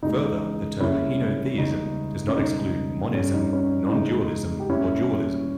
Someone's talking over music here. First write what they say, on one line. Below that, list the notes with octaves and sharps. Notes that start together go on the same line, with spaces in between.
Further, the term henotheism does not exclude monism, nondualism or dualism.
C#2 C#3 E3 G#3 B3 D#4
C#2 C#3 G3 A#3 C#4 E4
C#2 C#3 G3 B3 D#4
C#4
C#2 B2 G3 B3 D#4
G2 G3 B3 C#4
D#4
C#4
E4
E2 C#3 G#3 D#4
G4
A#2 G3 B3 C#4 E4